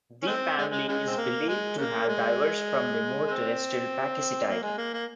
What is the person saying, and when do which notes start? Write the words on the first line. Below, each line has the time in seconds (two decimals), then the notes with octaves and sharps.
The family is believed to have diverged from the more terrestrial Pakicetidae.
0.23 C#4
0.27 G#3 C4
0.58 G#3
0.71 G#3
0.88 C#3 G#3
1.08 C4
1.18 A#3
1.48 G#3
1.78 C#3 A#3
2.08 G#3
3.28 G#3 C4
4.49 A#3
4.63 G#3
4.78 A#3
4.94 A#3